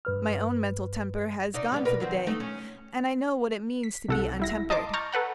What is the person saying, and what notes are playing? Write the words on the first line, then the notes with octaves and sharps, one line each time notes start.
My own mental temper has gone for the day, and I know what it means to be untempered.
G2 B4 F6
C3 D#4 D5
G3 G#3 B3
B2 A#4 B4
D#3 F#3 C4
A3 D#4
C#4
B6
C2 A4 F#5
G3 E4 A#6
D#5 A5 A#5 C6 D6
A#5 C#6 F6 G6 A6
A4 B4 F#5 A#5